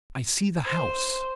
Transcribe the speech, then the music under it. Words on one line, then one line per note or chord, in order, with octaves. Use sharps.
I see the house.
C5